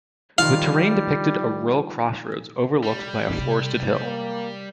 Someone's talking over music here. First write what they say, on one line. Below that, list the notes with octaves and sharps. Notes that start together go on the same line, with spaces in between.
The terrain depicted a rural crossroads overlooked by a forested hill.
D#3 F3 G3 F4 F5
G3
C3 G#3
A#3